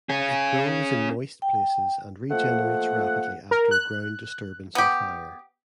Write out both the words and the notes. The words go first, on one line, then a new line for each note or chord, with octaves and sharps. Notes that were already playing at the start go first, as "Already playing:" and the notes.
It grows in moist places and regenerates rapidly after ground disturbance or fire.
C#4 G#4
G5
F3 A3 A#3 F#5
A#4
F#6
B3 G4